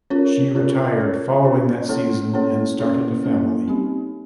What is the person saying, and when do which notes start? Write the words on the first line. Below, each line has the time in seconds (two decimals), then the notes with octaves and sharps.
She retired following that season and started a family.
0.10 C#4 F4 A#4 C#5
0.55 C#4 F4 A#4 C#5
0.99 C#4 F4 A#4 C#5
1.45 C#4 F4 A#4 C#5
1.89 A#3 C#4 E4 A4 C#5
2.33 A#3 C#4 E4 A4 C#5
2.79 A#3 C#4 E4 A4 C#5
3.23 A#3 C#4 E4 A4 C#5
3.67 G3 C4 D#4 G4